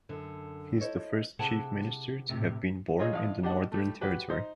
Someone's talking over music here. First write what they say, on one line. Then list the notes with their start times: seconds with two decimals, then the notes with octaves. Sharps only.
He is the first Chief Minister to have been born in the Northern Territory.
0.09 F#2 D3
0.80 E4 C5 C#5 D#5
1.39 C3 E4 G#4 F#5 G5 A5
2.29 E2 A2 C3
2.98 D#4 F4 G#4 C#5 D#5
3.13 A1 F5 D#6
3.43 D4 G4 D#5 F#5 A5
3.72 G3 A3
4.01 F#4 G4 B4
4.29 D#4 C5